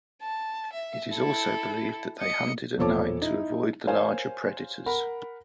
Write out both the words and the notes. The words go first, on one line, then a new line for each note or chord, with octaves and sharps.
It is also believed that they hunted at night, to avoid the larger predators.
A5
E5
E4 A4
D#5 C#7
E1 A#2 F3 A4 C#5 D6
D#4 E4
A#4 C5 C#5 F5 G#5
A#4 F#5 B5